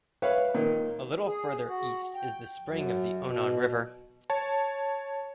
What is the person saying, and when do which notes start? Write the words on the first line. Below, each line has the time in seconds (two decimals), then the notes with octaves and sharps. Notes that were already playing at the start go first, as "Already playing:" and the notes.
A little further east is the spring of the Onon River.
0.22 B4 C#5 E5 F5
0.54 A#2 D#3
1.26 G#4
1.68 F#4
2.14 G5
2.66 F#2
3.21 B2
4.30 C#5 A5